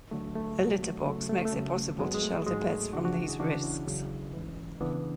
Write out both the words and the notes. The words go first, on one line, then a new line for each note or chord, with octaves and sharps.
A litter box makes it possible to shelter pets from these risks.
D2 D3 F#3 A3
A3
C#2 B2 F#3
A3
F#2 C#3 F#3 A3
A3
A3
D2 C#3 F#3 G#3
A3
G#2 F#3 G#3 B3
G#3
A3
G#2 F#3 G#3
A3
C#2 C#3 E3 D4 F#4
D4 F#4
E4 G#4
C#2 C#3 E3 D4 F#4
C#4 E4
E2 C#3 F#3
G#2 E3
C#2 C#3 E3 B3 D4